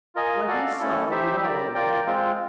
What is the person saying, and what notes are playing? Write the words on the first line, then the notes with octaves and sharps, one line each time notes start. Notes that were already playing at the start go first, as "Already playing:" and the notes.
What he saw you already know.
F4 A#4 D#5 G#5
F#4 A4 D5 F5
A3 C#4 E4 A4
D#4 G4 C5 E5
G4 A#4 D5 G5
F4 A#4 D5 G5
G#3 C4 F4